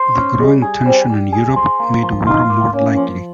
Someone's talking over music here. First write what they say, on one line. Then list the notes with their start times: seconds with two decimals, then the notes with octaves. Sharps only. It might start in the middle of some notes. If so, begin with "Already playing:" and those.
The growing tension in Europe made war more likely.
Already playing: C5
0.15 C#4
0.39 G3 G#3
0.62 G#4
0.86 G3 C4
1.10 G3
1.33 G#4
1.56 C5
1.80 A#3
2.03 F3
2.27 D#4 F4
2.50 A#3
2.74 A#3 C#4
2.97 F3